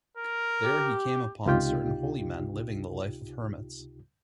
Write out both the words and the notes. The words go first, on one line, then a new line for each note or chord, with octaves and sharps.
There he came upon certain holy men living the life of hermits.
A#4
G4
C#2 C3 D#4 F4 G4 G5